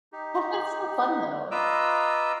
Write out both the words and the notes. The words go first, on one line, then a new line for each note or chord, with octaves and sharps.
That's so fun, though.
D#4 G4
F4 B4 D#5 A#5 D6 E6